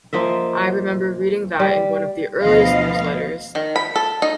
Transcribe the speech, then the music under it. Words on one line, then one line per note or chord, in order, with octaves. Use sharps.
I remember reading that in one of the earliest newsletters.
F3 A#3 D#5 E5
G3
D2 B2 F3 B3 D#5 F5
D#3
B5
A4
D#4